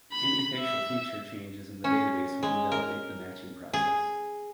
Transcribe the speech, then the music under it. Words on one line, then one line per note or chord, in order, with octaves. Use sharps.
Any facial feature changes in the database will invalidate the matching process.
B5
E5
C#4
G#3
A#4
G#4